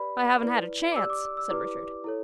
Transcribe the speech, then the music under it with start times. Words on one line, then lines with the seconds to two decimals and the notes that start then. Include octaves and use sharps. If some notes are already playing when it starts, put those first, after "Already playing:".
"I haven't had a chance," said Richard.
Already playing: G4 B4 D5 B5
0.43 E4 B4 D5
0.92 D6
0.96 G4 D5 E6
1.10 D6
1.37 E6
1.50 E4 G4 B4 D5 D6
2.04 E4 A4 C#5